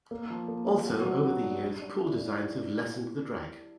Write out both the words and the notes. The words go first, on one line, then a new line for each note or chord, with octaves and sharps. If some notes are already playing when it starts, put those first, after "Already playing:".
Also, over the years, pool designs have lessened the drag.
A#3
F3
A#3
F3
F#3
F#3
B3
D4
G3
D4
E3